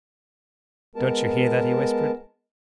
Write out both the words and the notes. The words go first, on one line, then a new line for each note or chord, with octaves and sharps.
"Don't you hear that?" he whispered.
G#3 B3 A#4 A5